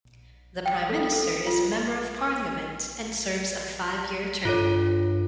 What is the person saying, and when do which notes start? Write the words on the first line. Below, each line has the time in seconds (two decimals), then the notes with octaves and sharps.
The prime minister is a member of parliament and serves a five-year term.
0.66 G5
0.89 A4
1.12 A4
1.47 F4
4.45 G2 F4 A4 C#5